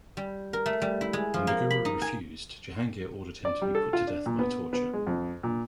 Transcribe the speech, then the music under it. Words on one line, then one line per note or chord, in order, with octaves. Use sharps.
When the Guru refused, Jahangir ordered him to be put to death by torture.
G3
A#4
A3
G3
E4
G#3
F3
A#3
B5
D#4
G#5
D5
G3
A4
F4
D4
A#2
B3
B3
G#3
F2
A#2